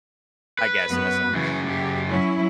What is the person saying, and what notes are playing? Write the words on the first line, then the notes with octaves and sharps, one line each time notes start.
I guess, in a sense.
B4
F#2 B3
F#2 C#3 E3
G4
F#3 C#4 E4